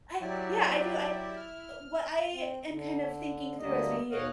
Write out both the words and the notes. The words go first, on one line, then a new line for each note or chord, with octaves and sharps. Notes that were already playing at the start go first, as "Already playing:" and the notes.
I yeah, I do I eh, what I am kind of thinking through as we, eh,
F#3 E4 G4 D5
F6
C4
D3
D2 D3 G3 A#3 D#5
D#2 B2 C#5 D#5 F5 F#5